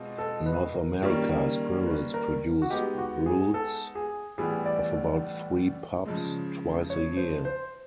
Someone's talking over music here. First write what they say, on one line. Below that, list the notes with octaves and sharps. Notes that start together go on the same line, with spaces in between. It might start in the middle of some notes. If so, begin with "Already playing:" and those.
In North America, squirrels produce broods of about three "pups" twice a year.
Already playing: B2 G#3 C4 F4
A4
B4
A#4
D#3 G3 A#3 C#4
B4
A#4
F#4
G#3 B3 D#4 G4
F#4
G#4
A4
G#4
A2 E3 G3 B3 E4 G#4
D5
D5
C#3 F3 G#3
C#5
C5
C5